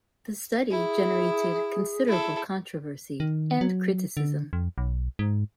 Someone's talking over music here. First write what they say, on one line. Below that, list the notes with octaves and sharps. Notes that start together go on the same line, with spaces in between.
The study generated considerable controversy and criticism.
E4 G#4
E4 A4
D#3
F#3
D3
F2
B1
G#2